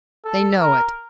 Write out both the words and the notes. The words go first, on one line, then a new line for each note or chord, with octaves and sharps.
They know it.
A4
A#4